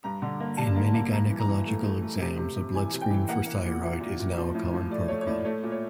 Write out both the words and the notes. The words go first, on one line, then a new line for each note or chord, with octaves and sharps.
In many gynecological exams a blood screen for thyroid is now a common protocol.
G2 A#5
D3
A#3
G3 A5
A#3
A#3
G2 A#5
E3
A#5
E3
A3
A3
A3
C3
C3
C3
E3 G#5
C3
G5
E3
A#3 F#5
A#3
A#2
A#2 E5
A#2
A#2
F3
A2
F3
A3 D5
A3 C#5
C#5
A2 D5
A3 C#5
A#2
C#5